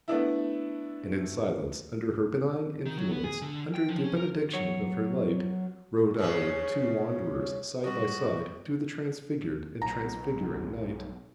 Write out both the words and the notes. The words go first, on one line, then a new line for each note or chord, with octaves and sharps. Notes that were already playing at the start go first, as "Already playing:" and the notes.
And in silence under her benign influence, under the benediction of her light, rode our two wanderers side by side through the transfigured and transfiguring night.
A3 B3 D4 E4
D#3
F#3
B3
G#4
D3
G5
F3
C#4
A#4
F#3 C#5
G2 C#3 C#4
G3 F#4 D#5
B1 A#5